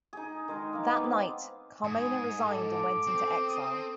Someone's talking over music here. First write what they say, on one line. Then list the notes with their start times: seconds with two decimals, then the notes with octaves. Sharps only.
That night, Carmona resigned and went into exile.
0.13 D#4 G#4
0.48 D#3 G#3 A#4
0.73 A#3 F5
0.87 B3 B4 D6
1.04 C4
1.84 G#2 G#5 D#6
2.46 A4 D6
3.07 C4
3.48 D#6